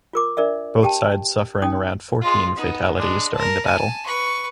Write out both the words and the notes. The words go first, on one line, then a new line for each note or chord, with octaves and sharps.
Both sides suffering around fourteen fatalities during the battle.
F4 A#4 D6
D4 A#4 D5 E5
G4 G5 A5
C#4 D#4 G5 D#6
G#3 F4
B3 D#4
G#3 D4
A#4 A5
G#5 A5
B4 C#6